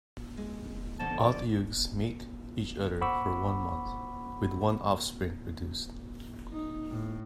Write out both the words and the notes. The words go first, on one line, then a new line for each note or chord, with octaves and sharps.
Otyughs mate each year for one month, with one offspring produced.
G#3
F2 B2 D3 A5
D5
C5 F#5 B5 C#6 D6 E6
D#4
A2